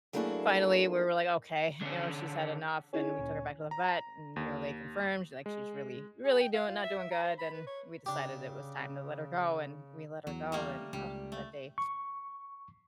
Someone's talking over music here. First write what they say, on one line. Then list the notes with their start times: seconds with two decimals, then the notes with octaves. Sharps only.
finally, we were, like, okay, you know, she's had enough, and we took her back to the vet, and, you know, they confirmed, she's, like, she's really, really doing not doing good, and we decided it was time to let her go, and we let her go, and ugh, that day,
0.13 F#3 A3 A#3 D4 E4 G#4
1.81 D3 C#4
2.93 C#4 D#4 E4 G#4
3.18 D2 A#2
3.71 A#5
4.36 D#2
5.46 G#3
6.24 G#4
6.40 G5
6.53 F5
6.68 F4
6.83 E5
6.99 E5
7.11 A#5
7.24 C5
7.39 B5
7.53 B4
7.67 C#5
8.06 C#3 D4 G4
10.27 E2 F#3
10.52 G3 A3 A#3
10.93 C#2 G3
11.32 A3
11.78 C#6